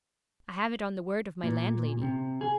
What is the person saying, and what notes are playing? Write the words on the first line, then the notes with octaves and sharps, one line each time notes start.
I have it on the word of my landlady.'
A#2
C3
G#4